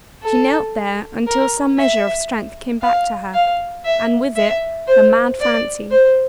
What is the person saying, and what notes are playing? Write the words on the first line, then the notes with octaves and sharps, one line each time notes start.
She knelt there until some measure of strength came back to her, and, with it, a mad fancy.
A4
A#4
E5
F5
F5
E5
E5
C5
D5
C5